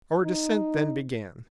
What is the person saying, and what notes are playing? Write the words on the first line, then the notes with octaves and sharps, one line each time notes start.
Our descent then began.
D#4